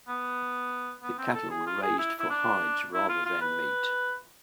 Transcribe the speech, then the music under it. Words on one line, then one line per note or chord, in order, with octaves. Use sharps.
The cattle were raised for hides rather than meat.
B3
B3
C4
A4
G#4
F4
G#4
E4
E4
D4
E4
F4
F4
B4